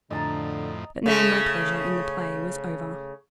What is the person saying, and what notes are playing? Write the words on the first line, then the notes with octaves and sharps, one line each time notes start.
But now, my pleasure in the play was over.
F2 A2 D3 D#5 A5 A#5
C#3 A3